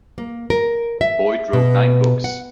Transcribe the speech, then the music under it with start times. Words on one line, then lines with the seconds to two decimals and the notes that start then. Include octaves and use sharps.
Boyd wrote nine books.
0.18 A#3
0.50 A#4
1.01 E5
1.53 B2
2.24 F#5